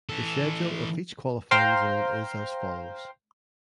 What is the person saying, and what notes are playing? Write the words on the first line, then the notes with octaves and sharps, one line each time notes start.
The schedule of each qualifying zone is as follows.
E3 A4
C5 F5 G5 A#5 C6